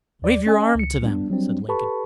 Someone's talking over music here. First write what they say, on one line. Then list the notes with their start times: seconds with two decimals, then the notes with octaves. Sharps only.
"Wave your arm to them," said Lincoln.
0.22 D#2 D5
0.46 C#4 D#5 G#5
0.75 C#2 C#7
1.02 G3 B3 D4
1.30 F#3 G3 C4 D4
1.69 G4 A4 B4 A5 B5 C#6